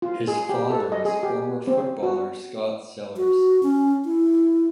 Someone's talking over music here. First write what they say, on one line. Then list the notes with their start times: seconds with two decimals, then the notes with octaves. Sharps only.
His father is former footballer Scott Sellars.
0.02 F4
0.27 G#4
0.49 G4
0.70 A4
0.92 D#5
1.05 G#4
1.23 G4
1.67 C4
2.03 F#4
3.17 F#4
3.63 C#4
4.05 E4